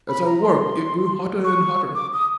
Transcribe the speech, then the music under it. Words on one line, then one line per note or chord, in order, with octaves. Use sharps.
As I worked it grew hotter and hotter.
B5
A#5
C6
C#6
D6
D#6